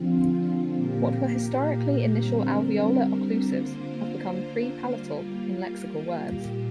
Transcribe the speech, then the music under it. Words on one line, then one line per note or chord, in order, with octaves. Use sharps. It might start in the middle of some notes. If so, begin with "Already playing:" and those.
What were historically initial alveolar occlusives have become pre-palatal in lexical words.
Already playing: D3 F3 C4 F4
A#2 A#3 G4 A#4
D3 G3 C4 A#4
D3 A#3 F4 C5
G3 A#3 F4
A#2 A#3 G4